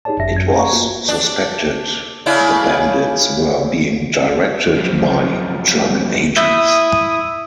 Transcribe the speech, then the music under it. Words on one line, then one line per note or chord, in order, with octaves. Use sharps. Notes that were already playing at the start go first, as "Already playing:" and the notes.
It was suspected the bandits were being directed by German agents.
D#4 G4 G#4 C#5 D5 A5
G1 F#2 E5 A#6
F#2 G#6
A#5 C#6
A#3 F4 F#4
D4
C#3 D4 E4
F#2 F3
E4 E5 D#6